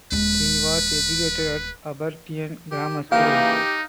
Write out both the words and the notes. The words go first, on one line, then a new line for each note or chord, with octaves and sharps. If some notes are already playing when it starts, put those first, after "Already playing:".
He was educated at Aberdeen Grammar School.
D#1 G#3 B4
G4
C#3 E3 A#3 D#4 G4 F5